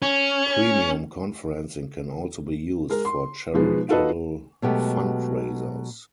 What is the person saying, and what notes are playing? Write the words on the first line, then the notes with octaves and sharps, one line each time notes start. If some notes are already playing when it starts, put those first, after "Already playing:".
Premium conferencing can also be used for charitable fundraisers.
C#4
G#3 A#4
C6
B2 F3 G#3 B3 D#4
D#4 F4 F#4 A4 B4 D#5
B2 F#3 G#3 A3 B3 G4